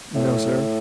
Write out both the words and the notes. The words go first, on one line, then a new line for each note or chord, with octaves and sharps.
"No, sir."
A2